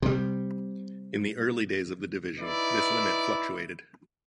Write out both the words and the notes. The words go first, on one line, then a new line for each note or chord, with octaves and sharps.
In the early days of the division, this limit fluctuated.
C3 G3
D#4 E4 B4 D5